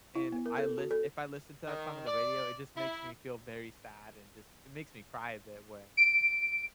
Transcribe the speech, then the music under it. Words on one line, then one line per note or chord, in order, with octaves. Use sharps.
and I list if I listen to that song on the radio, it just makes me feel very sad and just it makes me cry a bit where
E4
B3
A#4
A4
F#4
A4
D#3
D5
E4
D7